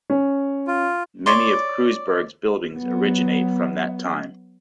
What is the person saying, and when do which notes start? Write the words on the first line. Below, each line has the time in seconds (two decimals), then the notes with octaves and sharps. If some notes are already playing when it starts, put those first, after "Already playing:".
Many of Kreuzberg's buildings originate from that time.
0.10 C#4
0.68 F4
1.26 C#5 D5 C6
2.76 F#3 B3